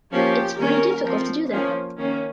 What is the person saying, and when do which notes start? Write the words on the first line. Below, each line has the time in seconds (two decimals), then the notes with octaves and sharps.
It’s pretty difficult to do that.
0.12 F3 A#3 C#4 G4
0.58 D#3 G3 A#3 C#4 A#4
1.04 F3 C4
1.51 F3 A#3 C#4
1.97 D#3 A#3 C#4